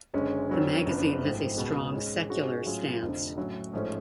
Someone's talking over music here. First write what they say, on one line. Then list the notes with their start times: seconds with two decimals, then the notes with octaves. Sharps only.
The magazine has a strong secular stance.
0.14 F#1 F#2 D3 G#3 C#4
0.49 F2 D3 F#3 C#4
0.86 F#1 F#2 F3 B3 D4
1.21 G#1 G#2 F3 A3
1.57 C#2 B2 G#3
1.93 G#2 G#3 C#4
2.30 G#2 G#3 C#4 F#4
2.66 A2 F#3 C#4 F4 G#4
3.02 F1 F2 D3 F3
3.37 A2 F#3 C#4
3.73 A1 G#2 F3 A3 C#4